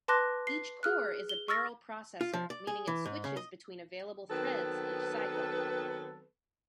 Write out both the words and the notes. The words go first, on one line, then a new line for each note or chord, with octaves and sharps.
Each core is a barrel processor, meaning it switches between available threads each cycle.
B4 A5 C6 D6 F#6 A#6
C7
G#4 F6 F#6
G7
C#6 E6 F6 A6 A#6
F4
F3
D5
G#4
E3
G#2
C#3
D#5
D#3 F#3 B3 C4 A4 B4